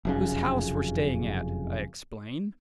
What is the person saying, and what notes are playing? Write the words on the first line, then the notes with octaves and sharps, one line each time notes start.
"Whose house we're staying at," I explained.
F1 F#2 C#3